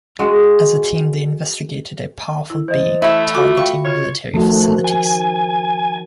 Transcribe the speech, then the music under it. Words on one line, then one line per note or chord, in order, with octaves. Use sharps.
As a team, they investigated a powerful being targeting military facilities.
G#3 F#4
E4
E3 C5 D#5
A3 E4 A4 E5 B5
F4 F#4 A4 D6
F5 G5 C#6
C#3 F4 C#5
D#3 F3 A3 F#4
G#5